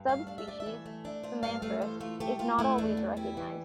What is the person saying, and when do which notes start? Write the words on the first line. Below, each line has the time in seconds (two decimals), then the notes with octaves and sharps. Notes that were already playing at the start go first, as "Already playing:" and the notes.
Subspecies "sumatranus" is not always recognized.
Already playing: G2
0.08 A3 F5
0.27 D4 F5
0.38 E5
0.47 A3 D5
0.60 E5
0.66 E3
0.86 A3
1.05 D4
1.23 A3 C5
1.43 G2 F5
1.62 A3 F5
1.82 E3 C5
2.01 A3 F4
2.20 A3 G4
2.39 A3 F4
2.59 A3 E4
2.78 E2 D4
2.97 E2
3.17 G3 E4
3.37 E3